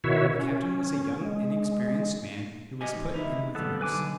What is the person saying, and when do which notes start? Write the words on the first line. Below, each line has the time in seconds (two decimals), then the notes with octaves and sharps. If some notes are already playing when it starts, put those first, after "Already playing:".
The captain was a young, inexperienced man, who was put in with a nurse.
0.04 B2 D#3 E4 F#4 C#5 E5
0.39 C#4
1.21 G#3
2.81 G4 D#5 G#5
2.93 E2 G#2
3.12 D2 D#4 E4
3.55 D#2 G3 B3 A4
3.81 B1 D3 B4 G#5 D6